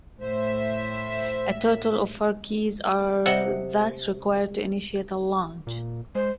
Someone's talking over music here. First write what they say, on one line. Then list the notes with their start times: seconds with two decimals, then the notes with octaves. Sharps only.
A total of four keys are thus required to initiate a launch.
0.20 A2 C5 E5
3.26 C3 D#5 E5 F#5
5.67 A#2
6.15 G#3 C5